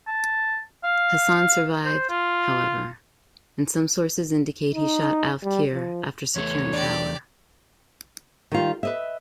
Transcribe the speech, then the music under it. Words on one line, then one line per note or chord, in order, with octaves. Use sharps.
Hassan survived, however, and some sources indicate he shot Oufkir after securing power.
A5
F5
C5
F4
D#4
G3
F3
E2 A3 C#5
D4 G4 D5
D#3 G3 F4
B4 D#5 E5